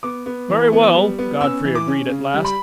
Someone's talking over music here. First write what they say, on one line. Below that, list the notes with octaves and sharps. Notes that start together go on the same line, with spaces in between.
"Very well," Godfrey agreed, at last.
B3 D6
B3
E3
B3
G3
B3
C#4 E6
E3
D6
C#4
C#3
G3
B5